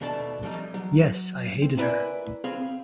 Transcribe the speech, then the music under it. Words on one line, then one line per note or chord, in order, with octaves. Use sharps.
Yes, I hated her.
D#2 B2 A3 D4 A5
F3 G3 A3 C4 D#4
F#3
C4
A#3 B3 E4 B4 D5 G#5
C4 G#4 F5 B5